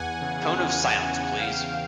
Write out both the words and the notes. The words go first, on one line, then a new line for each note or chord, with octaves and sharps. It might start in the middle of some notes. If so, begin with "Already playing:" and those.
Cone of silence, please.
Already playing: E2 F#5 G#5
C#3
E2
C#3
C#3 F5 G5